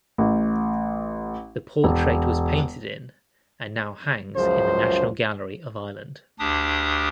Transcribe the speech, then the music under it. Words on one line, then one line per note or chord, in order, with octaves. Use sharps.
The portrait was painted in and now hangs in the National Gallery of Ireland.
A1
E1
C#2 F#2 C#3 F3 C5
D2 D4 G4 D#6